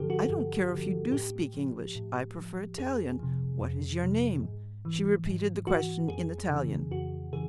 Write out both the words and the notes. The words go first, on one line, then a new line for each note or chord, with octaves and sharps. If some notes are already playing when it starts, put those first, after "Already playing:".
'I don't care if you do speak English; I prefer Italian--what is your name?' She repeated the question in Italian.
Already playing: G2 D3 F3 G4 A4
F#4
G2
D3 F3
A2 G4
F3
A2
F3
F2 G#4
C3 F3
F2
C3 F3
G#2
E3
G#2
E3 F#4
F2 G#4
C#3 E3
F2 F#4
C#3 E3 G#4